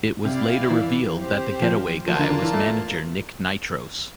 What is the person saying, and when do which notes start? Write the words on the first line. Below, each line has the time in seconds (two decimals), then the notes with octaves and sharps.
It was later revealed that the Getaway Guy was manager Nick Nitros.
0.25 C3 E4 G4 D5 F5
0.71 E3
1.16 C4 G4 C5
1.62 F3
2.08 F3 A#3 F4 A#4 D5 A5
2.19 D3
2.30 D3
2.42 E3
2.54 A3